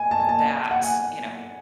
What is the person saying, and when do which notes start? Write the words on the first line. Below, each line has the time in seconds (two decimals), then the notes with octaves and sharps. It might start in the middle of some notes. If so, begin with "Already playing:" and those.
that you know,
Already playing: G#5
0.11 A5
0.20 G#5
0.29 A5
0.71 F#5
0.82 G#5